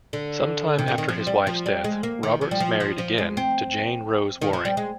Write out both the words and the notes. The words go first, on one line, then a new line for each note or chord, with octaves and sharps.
Some time after his wife's death, Roberts married again, to Jane Rose Waring.
D3
C3
D3
D#3
F3
G3
F3
G3
G#3
A#3
D#3
F3
G3
F3
F3
F3
G#3
C4
D#3
F3
G3
G#3